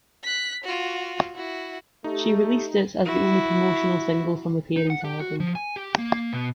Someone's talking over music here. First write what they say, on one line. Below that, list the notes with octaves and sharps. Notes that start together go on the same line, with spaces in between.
She released it as the only promotional single from the parent album.
F#6 B6
F4 F#4
E4 F#4
A3 D#4 G4
E4 F#4
D#4
F#5
G4
F#4
F3
G#5
G4
A#3
B2